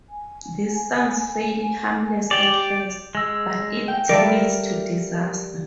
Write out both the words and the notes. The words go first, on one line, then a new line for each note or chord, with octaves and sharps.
This sounds fairly harmless at first, but it leads to disaster.
G#5
G4 D5
G#3 E6
G5
G3 A4 A#4 D5 E5 F5